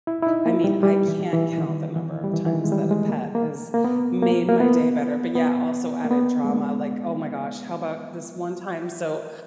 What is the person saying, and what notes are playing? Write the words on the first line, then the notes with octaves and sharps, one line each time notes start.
I mean, I can't count the number of times that a pet has made my day better, but, yeah, also added drama, like, oh my gosh. How 'bout this one time, so,
E4
E4
D#4
A#3
G3
G3
E3
E3
D#3
E3
G3
E3
E3
D#3
G#3
G3
G#3
A#3
A#3
A#3
B3
A#3
A#3
B3
B3
A#3
B3
G#3
A#3